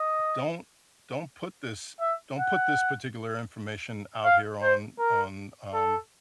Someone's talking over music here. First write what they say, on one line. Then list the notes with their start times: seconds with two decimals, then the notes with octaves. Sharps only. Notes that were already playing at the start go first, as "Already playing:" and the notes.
don't don't put this don't put this particular information out here on on, um,
Already playing: D#5
2.01 E5
2.38 F#5
4.25 F5
4.62 C5
4.99 A#4
5.74 A4